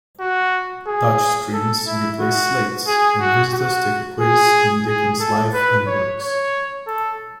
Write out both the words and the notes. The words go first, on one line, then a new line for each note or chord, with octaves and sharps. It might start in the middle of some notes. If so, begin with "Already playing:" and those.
Touch-screens replace slates, and visitors take a quiz on Dickens' life and works.
F#4
G#4
A4
E4
F#4
G#4
F#4
F#4
G#4
G#4
A4
B4
C#5
C#5
A4